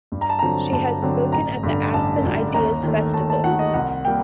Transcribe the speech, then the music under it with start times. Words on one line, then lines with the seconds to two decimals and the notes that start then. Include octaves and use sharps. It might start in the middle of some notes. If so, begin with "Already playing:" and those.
She has spoken at the Aspen Ideas Festival.
0.12 G2
0.21 A#5
0.29 A5
0.39 D3 F#3 C4 A#5
0.72 G2 A5
1.02 D3 F#3 C4
1.32 A1 A#5
1.63 G2 D3
1.93 A1 A5
2.24 G2 D3
2.54 D#2 A#5
2.84 D#3 A3
3.14 D#2 A5
3.30 A5
3.44 D#3 A3 F#5
3.59 D#5
3.74 C2 F#5
4.05 G3 A#3 G5